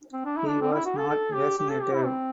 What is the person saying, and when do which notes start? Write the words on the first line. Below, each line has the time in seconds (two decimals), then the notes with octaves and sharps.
He was not vaccinated.
0.13 C4
0.25 D4
0.37 E4
0.49 D4
0.61 C4
0.73 E4
0.85 F#4
0.98 A4
1.09 A4
1.34 G4
1.58 G4
1.70 A4
1.82 G4
1.94 E4
2.06 C4